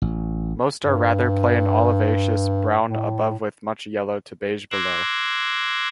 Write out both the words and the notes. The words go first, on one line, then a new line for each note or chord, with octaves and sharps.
Most are rather plain olivaceous brown above with much yellow to beige below.
A1
G2
A2
C6 D6 E6 F#6 G#6 A#6